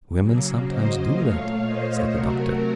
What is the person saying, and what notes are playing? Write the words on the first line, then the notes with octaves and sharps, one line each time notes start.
"Women sometimes do that," said the Doctor.
C#3 F#3 A#3
C5 D#5
A#2 A3 C#5 F5
C5 D#5
C3 F#3 A3 F#4 A#4